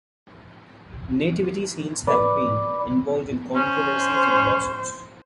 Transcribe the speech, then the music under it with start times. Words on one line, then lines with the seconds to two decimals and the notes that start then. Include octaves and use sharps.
Nativity scenes have been involved in controversies and lawsuits.
2.07 B4 D5
3.55 C#4 C5